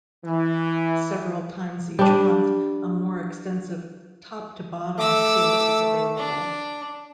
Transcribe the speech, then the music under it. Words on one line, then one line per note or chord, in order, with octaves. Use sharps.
Several times each month a more extensive "top to bottom" tour is available.
E3
G3 D4
A3 D6 E6
D4